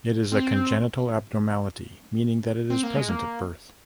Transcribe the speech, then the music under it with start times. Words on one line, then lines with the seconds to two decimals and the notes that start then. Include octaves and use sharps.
It is a congenital abnormality, meaning that it is present at birth.
0.32 C4
2.70 C4
2.83 A#3
2.96 G#3
3.09 A#3